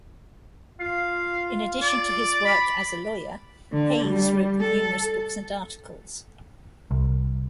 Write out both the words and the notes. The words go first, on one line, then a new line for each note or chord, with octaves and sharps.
In addition to his work as a lawyer, Hays wrote numerous books and articles.
F4 F5
D5
B5
D3
G3
A4
C2